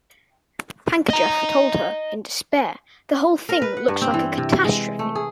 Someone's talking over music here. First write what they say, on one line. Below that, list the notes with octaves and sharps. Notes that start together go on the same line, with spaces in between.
Pankejeff told her, in despair, the whole thing looks like a catastrophe.
D#5 A#5
A#4
B4
F#5
G2
C4
E3
C3
G#3
A3
G#4